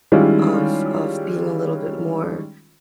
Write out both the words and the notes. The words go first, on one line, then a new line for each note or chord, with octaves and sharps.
of of being a little bit more,
D#3 G3 G#3 C#4 E4 F4